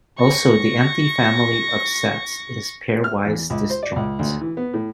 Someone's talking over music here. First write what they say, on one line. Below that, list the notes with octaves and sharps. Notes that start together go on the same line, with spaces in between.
Also the empty family of sets is pairwise disjoint.
C#6 A#6
F6
E2
C#2
C5
D5
C#2
D2
E3
B3
A2